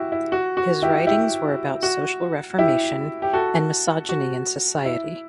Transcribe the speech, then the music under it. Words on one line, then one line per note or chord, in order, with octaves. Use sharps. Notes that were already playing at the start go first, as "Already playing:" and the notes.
His writings were about social reformation and misogyny in society.
Already playing: E4 F#4 G4
E4
F#4
F#4
E4 G4
E4 G4
F#4
E4 G4
G4
F#4 A4
F#4
E4